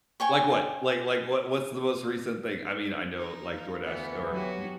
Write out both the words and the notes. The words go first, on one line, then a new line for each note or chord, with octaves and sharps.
Like what? Like like, what what's the most recent thing? I mean, I know, like, DoorDash or, y
C#5 G5 G#5
D#4
F5
D2 E3 B3
F#3 B3 C#4 F#4 G4